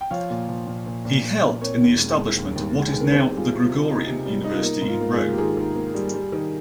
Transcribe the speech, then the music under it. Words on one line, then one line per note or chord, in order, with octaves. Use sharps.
He helped in the establishment of what is now the Gregorian University in Rome.
G5
F3 C#5 F5
A#2
F3
A#2
A#2
A#2
A#2
A#2
C4 A#4 C#5
D#2
G#3
G#3
D#2
D#2
G#3
D#3 G#4
A#4
C4 G#4 C5
G3 G4
F4 G#4
C3
F4
C3
D#4
C3
G3
D#4
F4
A#3 D#4
G#2
F4
A#3
F4 G#4
A#3
G4
D#3 F4 G#4
D#3
A#3
G3
G3
D#3